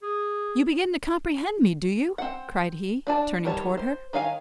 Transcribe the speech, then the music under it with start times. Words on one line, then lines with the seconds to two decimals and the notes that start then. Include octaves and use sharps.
"You begin to comprehend me, do you?" cried he, turning towards her.
0.03 G#4
2.18 C4 F#5
3.07 D4 D5 A5
3.45 D#3 G3 C#5 A5
3.77 C5
4.13 D#3 C#5 F5 G#5